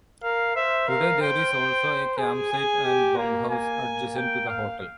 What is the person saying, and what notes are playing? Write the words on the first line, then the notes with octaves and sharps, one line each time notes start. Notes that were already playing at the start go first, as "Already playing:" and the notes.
Today there is also a campsite and bunkhouse adjacent to the hotel.
A#4 F5
C5 E5
A#4 F5
C5 G5
C5
G#4 G#5
G#4
G4
A#3
A#3 G#5
A#3
G5
F5